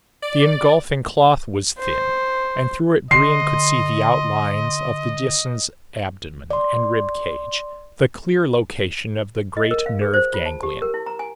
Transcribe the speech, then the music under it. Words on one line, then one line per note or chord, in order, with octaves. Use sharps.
The engulfing cloth was thin and through it Brion could see the outlines of the Disan's abdomen and rib cage, the clear location of the great nerve ganglion.
D5
C5
D3 D#5 C6 C7
D5 C6
D#5
A#4
F5
G#4
C5
F4
A5
G4
A#4
E4
A#5
G#5